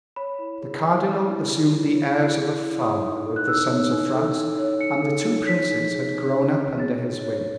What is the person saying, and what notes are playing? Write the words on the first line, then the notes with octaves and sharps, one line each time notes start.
The cardinal assumed the airs of a father with the sons of France, and the two princes had grown up under his wing.
C#5 B5
E4
G#4
E4
C#5
E4
G#4
E4
C#5
E4
G#4
E4
C#5 D#6
D#4
A4
F#6
D#4 E6
C#5
D#4
A4
D#4
C#5
D#4 C#7
A4
D#4
C#5 B6
D#4
G#4
D#4
C#5
D#4
G#4 A6
D#4
C#5